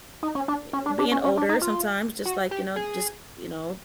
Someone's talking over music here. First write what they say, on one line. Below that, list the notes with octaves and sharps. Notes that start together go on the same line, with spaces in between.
be being older sometimes just, like you know, just you know,
D#4
C#4
D4
C#4
D4
D4
C#4
C#4
D4
D#4
F4
F#4
G4
G#4